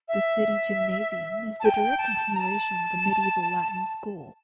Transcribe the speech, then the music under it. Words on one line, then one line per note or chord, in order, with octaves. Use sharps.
The city Gymnasium is the direct continuation of the medieval latin school.
E5
A5
G5
A5
A#5
A5